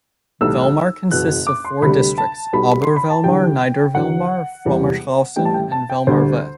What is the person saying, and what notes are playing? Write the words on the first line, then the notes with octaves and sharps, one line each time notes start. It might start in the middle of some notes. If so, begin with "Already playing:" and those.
Vellmar consists of four districts: Obervellmar, Niedervellmar, Frommershausen and Vellmar-West.
B1 A2 E3 G3 E6
F#1 E2 B2 F#6
D6
C6
D2 C3 G3 B5
A5
B1 B2 G3 B5
C6
B5
A5
E2 D3 G3 G5
E2 D3 F#3 F#5
E1 E2 C3 G3
A1 A2 G3 G5
A5
G5
A5
G5
D2 D3 G3 C5